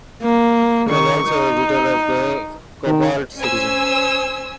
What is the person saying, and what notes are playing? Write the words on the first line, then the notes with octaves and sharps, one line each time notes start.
He was also editor of the Cobalt Citizen.
A#3
D#3 C#6
D#4
D#3
C#4 C5 G#5 E6